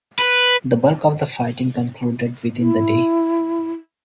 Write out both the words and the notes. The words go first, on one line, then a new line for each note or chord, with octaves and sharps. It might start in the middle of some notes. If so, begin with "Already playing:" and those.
The bulk of the fighting concluded within the day.
B4
E4